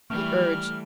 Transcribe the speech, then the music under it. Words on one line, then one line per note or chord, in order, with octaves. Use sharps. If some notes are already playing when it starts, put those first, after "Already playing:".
He urged.
E3 G3 A3 F6